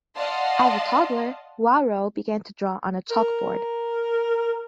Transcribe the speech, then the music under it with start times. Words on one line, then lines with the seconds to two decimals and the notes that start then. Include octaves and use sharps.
As a toddler, Wawro began to draw on a chalkboard.
0.15 D5 D#5 F5 F#5 A5 C6
3.11 A#4